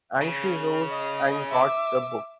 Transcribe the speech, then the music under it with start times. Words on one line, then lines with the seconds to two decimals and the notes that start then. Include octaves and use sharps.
And she rose and got the books.
0.21 C#3
0.89 D#5
1.49 E5 D6